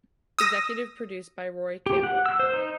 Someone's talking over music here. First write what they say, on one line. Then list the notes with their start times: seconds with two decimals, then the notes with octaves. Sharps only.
Executive produced by Roy Campbell.
0.39 D#6 E6 A#6
1.86 G4
2.03 F#5
2.26 E6
2.40 C5
2.53 D#4